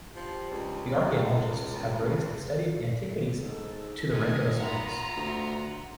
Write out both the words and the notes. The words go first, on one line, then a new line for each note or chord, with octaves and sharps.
The archaeologists have raised the study of antiquities to the rank of a science.
F3 D4 G4
C#2
C3 E3
G#2 A4
B1 D#3 A3 D#5 G#5
F4 F#5 A#5 B5
D2